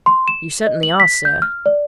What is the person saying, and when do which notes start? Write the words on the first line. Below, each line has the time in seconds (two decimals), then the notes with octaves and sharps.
"You certainly are, sir."
0.06 C6
0.28 E7
0.67 D#5
0.83 F#7
1.00 B6
1.25 G6
1.42 F6
1.66 D5